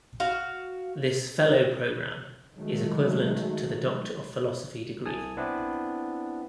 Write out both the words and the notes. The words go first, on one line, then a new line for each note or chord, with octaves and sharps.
This Fellow Program is equivalent to the Doctor of Philosophy degree.
F#4 F5
D#3 F#3 G#3 A3
C2 G#5 A5 D#6
B3 C4 D4 E4